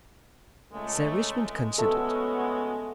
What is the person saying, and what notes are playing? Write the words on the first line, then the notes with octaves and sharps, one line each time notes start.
Sir Richmond considered.
C#2 G#3 A3
A3 B3 C#4 F#4 A4 E6